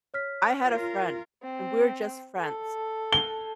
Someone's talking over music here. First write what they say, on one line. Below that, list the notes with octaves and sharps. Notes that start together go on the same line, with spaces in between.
I had a friend, and we're just friends.
C#5 F6 B6
F4 A#4
C4
A4
G7